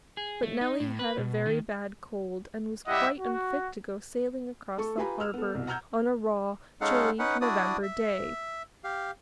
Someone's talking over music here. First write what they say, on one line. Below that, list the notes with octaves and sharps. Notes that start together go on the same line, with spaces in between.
But Nellie had a very bad cold and was quite unfit to go sailing across the harbour on a raw, chilly November day.
G#4
A3
D#4
A2
B4
B2
D#3
G3 E4 G4 D#5 E5 F#5
F#4
A3 A4 C#6
F4 G4 B4 G#5 A#5 B5
E6 F6
B3 A4
C2 B2
F#5 A#5 E6 F6 G6 G#6
G#3 C#4 D#4 A4 F5 F#5
C#4 D#4 B4 F#5
D4 E4 F#4 D5 D#6
E5
G4 F5